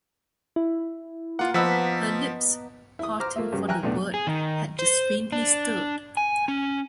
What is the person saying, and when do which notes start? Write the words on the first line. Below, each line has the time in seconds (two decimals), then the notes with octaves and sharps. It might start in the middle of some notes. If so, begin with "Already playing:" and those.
Her lips, parting for the word, had just faintly stirred.
0.56 E4
1.39 A#3 F4 F#5
1.54 F3 B3 D#5 F#5 A#5 E6 B6
2.99 E4 D#6
3.20 C5 A#5 D6 F6
3.36 A3 A#3 F4 E5
3.52 G2 C#3 F#3
3.68 E5 G5 G#5 A#5 F6 F#6
3.83 B1 E2 A2 D4
4.14 G#4
4.27 D#3
4.79 C5
5.32 D4
6.17 G#5
6.48 C#4